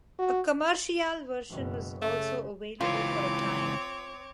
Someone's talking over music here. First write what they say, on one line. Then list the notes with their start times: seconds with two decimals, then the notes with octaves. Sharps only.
A 'Commerciale' version was also available for a time.
0.19 F#4
1.50 F#1 B2
2.02 C#3 A3
2.80 C#2 E3 C4 F4 C#5 D6